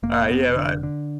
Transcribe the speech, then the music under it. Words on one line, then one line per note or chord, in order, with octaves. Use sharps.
alright, yeah, right
F1 A#3
F1 B3
D3
D3